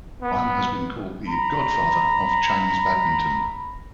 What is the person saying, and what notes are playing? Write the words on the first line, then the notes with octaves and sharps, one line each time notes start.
Wang has been called the "Godfather" of Chinese badminton.
B3
A#5 B5